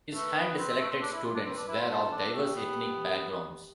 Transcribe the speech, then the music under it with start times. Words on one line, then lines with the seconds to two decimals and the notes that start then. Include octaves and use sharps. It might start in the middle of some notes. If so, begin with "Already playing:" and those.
His hand-selected students were of diverse ethnic backgrounds.
0.15 A3 B4
0.36 B3
0.58 C4
0.69 C4
0.81 A3
0.91 C4
1.02 D4
1.13 E4
1.24 F4
1.35 D4
1.46 C4 B4
1.57 D4
1.68 E4
1.79 F4
1.90 F4 A4
2.12 D4
2.33 A3 G4
2.55 B3